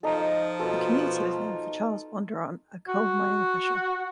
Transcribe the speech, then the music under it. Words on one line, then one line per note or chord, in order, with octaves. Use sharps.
The community was named for Charles Bondurant, a coal mining official.
F3 D#4 A4
B2 F4 A4
F#4